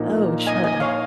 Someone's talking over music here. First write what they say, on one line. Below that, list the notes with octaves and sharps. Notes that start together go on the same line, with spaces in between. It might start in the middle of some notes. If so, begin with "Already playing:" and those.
Oh, sure.
Already playing: A#1 A#2 A#3 D#4
D#5 G#5
D#5 G#5
C#5 F5